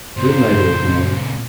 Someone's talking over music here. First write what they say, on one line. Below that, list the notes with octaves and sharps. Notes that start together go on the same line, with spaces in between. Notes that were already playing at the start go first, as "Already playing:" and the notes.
"Good-night, old man."
A#2 C#3 C5